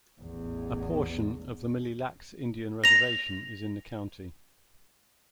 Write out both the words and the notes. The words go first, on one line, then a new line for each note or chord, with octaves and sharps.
A portion of the Mille Lacs Indian Reservation is in the county.
A1 E2
A#6 F7